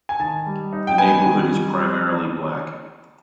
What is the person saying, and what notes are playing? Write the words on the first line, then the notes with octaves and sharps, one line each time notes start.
The neighborhood is primarily black.
G#5
D#3 A5
G3
D#4
G5
B3 G#5
D#3
G3